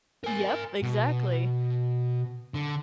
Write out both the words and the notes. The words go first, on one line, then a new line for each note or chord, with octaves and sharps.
Yep, exactly,
A#4 G#5
B2
D3